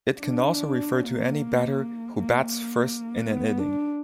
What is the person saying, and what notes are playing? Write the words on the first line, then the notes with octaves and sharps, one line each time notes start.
It can also refer to any batter who bats first in an inning.
D4
A#3
A#3
A#3
B3
D4